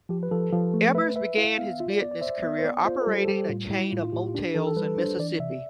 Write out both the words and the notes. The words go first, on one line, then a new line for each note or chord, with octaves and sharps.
Ebbers began his business career operating a chain of motels in Mississippi.
F3 G4
B4
F3 A4
F3
A3
B4 E5
B4 E5
E4 F5
B3 F5
F4 E5
D5
B3 D5
D5
C5 E5
B3 E5
C5
B3 D5
F4 C5
A4
G3 G4
A4
G3 G4
A2 F4
G3 E4
A2 F4
F4
A2 G4
F4
D4 G4
E3 A4
A4
G3 B4
D4 C5
E3 D5
C3 E5